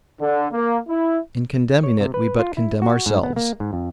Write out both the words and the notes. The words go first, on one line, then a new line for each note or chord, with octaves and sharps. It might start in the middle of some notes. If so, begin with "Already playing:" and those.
In condemning it we but condemn ourselves.
D3
A#3
E4
C#5
C3
B4
F4
E4
F#4
G#2
B3
A#3
G#2
F2